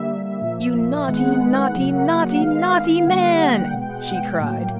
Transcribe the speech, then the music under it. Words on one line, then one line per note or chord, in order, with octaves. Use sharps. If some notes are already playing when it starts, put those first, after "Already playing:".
"You naughty, naughty, NAUGHTY, NAUGHTY man!" she cried.
Already playing: D3 G3 A#3 E5
A#2 F3 A#3
D#3 G#3 B3 F#5
C#3 F#3 A#3
D#3 G#3 B3 F5
D3 G3 A#3 F#5
F#5
F#5
G5
B2 G#3 B3
G5
F#5
G5
A2 F#3 A#3